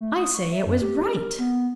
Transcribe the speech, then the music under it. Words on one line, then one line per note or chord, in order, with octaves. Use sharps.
'I say it was right.
A3
D#6
C#6
E5
F#2
G4
A#4
B3